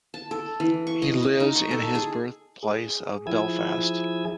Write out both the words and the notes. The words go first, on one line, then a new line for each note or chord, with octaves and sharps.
He lives in his birthplace of Belfast.
A5
A4
E3
C#6
D#5
D#5
D#4
C#6
A4
G#4
G#4
F3 E4 G#4 G#5 E6 G#6